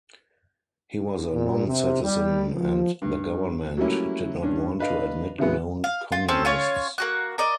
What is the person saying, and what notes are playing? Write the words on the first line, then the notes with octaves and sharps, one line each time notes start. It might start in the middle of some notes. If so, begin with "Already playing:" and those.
He was a non-citizen and the government did not want to admit known communists.
A#2
C3
G3
F3
G2
F#3 G3 A3 A#3 C#4 E4
G2 C#4 D4
D4 B4 D#5 F5
A2 C#3 E3 F#3 G#3 B3
F5
F4
C4 C#4 A4
C#4 F4 C#5
A#3 F#4 F#6
A#4 D5 D#5